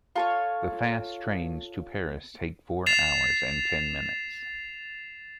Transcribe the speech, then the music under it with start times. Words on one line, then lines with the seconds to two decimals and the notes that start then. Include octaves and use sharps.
The fast trains to Paris take four hours and ten minutes.
0.16 F4 A4 C#5
2.86 A6 C7 E7 F7